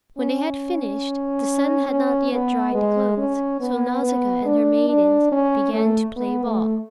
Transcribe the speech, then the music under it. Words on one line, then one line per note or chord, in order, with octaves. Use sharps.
When they had finished, the sun had not yet dried the clothes, so Nausicaa and her maidens began to play ball.
C#4
C#4
B3
G#3
C#4
B3
B3
D4
D4
C#4
A3
B3
A3